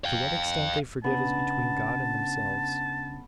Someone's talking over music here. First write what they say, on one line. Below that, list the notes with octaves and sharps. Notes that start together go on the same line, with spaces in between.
To what extent they forgive is between God and themselves.
F5 G5
C#3 B3 D4 A5 D#6